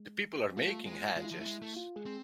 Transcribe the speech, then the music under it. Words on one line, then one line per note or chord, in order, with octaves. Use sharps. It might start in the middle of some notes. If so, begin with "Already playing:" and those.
The people are making hand gestures.
Already playing: G#3
A3 F4
G#3
G#3 F4
E4
F3
A3 E4
G#3
A3
F4
G#3 G#4
C4